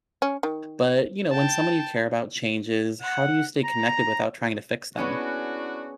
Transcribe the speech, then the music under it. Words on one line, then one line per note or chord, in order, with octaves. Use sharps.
But, you know, when somebody you care about changes, how do you stay connected without trying to fix them?
C#4
D#3
G5 A5
F#5
A#5
B3 C#4 D4 E4 F#4 G#4